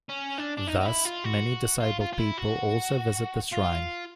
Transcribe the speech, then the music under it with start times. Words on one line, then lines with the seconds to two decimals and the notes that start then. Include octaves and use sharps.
Thus many disabled people also visit the shrine.
0.09 C#4
0.38 D4
0.57 D4
0.67 D#4
0.80 D#4
0.85 E4
1.05 F4
1.24 F#4
1.81 F4
2.01 F4
2.13 F4
2.19 E4
2.38 F#4
3.52 F4